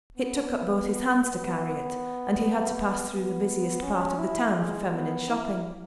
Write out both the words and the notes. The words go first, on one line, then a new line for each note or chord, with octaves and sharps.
It took up both his hands to carry it; and he had to pass through the busiest part of the town for feminine shopping.
B3
B3
C#4
E4
G#3
B3
E4